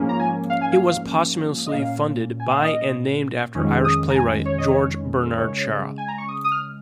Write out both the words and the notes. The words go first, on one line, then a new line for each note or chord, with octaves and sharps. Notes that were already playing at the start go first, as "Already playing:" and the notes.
It was posthumously funded by and named after Irish playwright George Bernard Shaw.
Already playing: G#2 F3 A#3 C#4
A#5
G#5
F5
G#5
F5
D#5
A#2 A#3 C#4 F5
G#5
F5
D#5
F2 D#3 G#3 C#4
D#6
A#5
G#5
C#5
D#5
C#5
A#4
C#3 G#3 C#4 C#5
G#5
A#5
C#6
D#6
D#6
F6